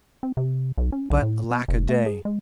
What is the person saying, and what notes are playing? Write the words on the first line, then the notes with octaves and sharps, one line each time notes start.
But alack-a-day!
C4
C3
B1
C#4
B1
A2
B3
F1
A3
G#4
G#3